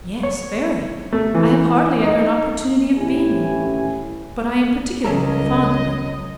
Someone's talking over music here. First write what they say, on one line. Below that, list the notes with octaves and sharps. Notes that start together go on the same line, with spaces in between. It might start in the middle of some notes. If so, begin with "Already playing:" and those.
"Yes, very: I have hardly ever an opportunity of being in one; but I am particularly fond of it."
C#5
A3
E3
D#4
A1 E3 C#4 E4 G4 G#5
C#2 F#3 C#4 A4 A#4 D#5